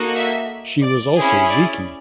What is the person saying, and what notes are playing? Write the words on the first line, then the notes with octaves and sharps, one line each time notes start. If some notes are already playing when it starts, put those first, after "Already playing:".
She was also leaky.
Already playing: A#3 D#4 F#4 A4
E5
D5
C#4 E4 G#4
D5